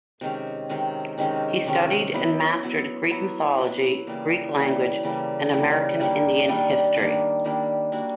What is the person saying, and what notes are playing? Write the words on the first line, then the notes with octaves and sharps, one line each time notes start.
He studied and mastered Greek mythology, Greek language, and American Indian history.
C3 D#3 G#3 C#4
C3 D#3 G#3 C#4
C3 D#3 G#3 C#4
C3 D#3 G#3 C#4
F#3 B3 E4
F#3 B3 E4
F#3 B3 E4
F#3 B3 E4
C#3 E3 G3 A#3
C#3 E3 G3 A#3
C#3 E3 G3 A#3
C#3 E3 G3 A#3
D#3 G3 A#3 D4
D#3 G3 A#3 D4
D#3 G3 A#3 D4
D#3 G3 A#3 D4
G3 A#3 D4 F#4